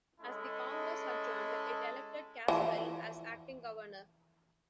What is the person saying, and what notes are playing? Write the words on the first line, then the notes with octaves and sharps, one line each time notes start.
As the congress adjourned, it elected Caswell as acting governor.
G#3 C#4 E4 A4 D#5 A5
E3 F3